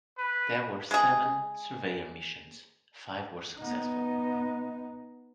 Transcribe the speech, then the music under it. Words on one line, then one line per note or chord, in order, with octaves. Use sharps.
There were seven Surveyor missions; five were successful.
B4
G#3 G#4
B3 D#4